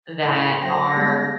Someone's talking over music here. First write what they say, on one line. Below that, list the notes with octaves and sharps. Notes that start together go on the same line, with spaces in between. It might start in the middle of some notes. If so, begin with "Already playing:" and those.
that are
A2 C6
F#3 C5 G5 A#6
G3 G#3 B3 G#4